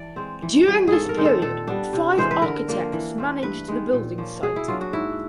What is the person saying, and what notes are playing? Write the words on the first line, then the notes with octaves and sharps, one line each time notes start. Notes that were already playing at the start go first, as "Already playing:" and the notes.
During this period, five architects managed the building site.
Already playing: E3 D5
G#3 C4
E3
G3 B3
G#2 G#4 A4
A#4
D#3 G#3 C4
A4
A#2 A4
G3 B3 D4
C3
E3 G#3 C5
B4
D3 A#4
F3 A#3 D4
E3
A3 C4
G2 B4
D#3 G#3
A#2
F3 A#3 C#4
B2 G#4
E4
F#3 A#3 D4 F4
F#4
G#2 E4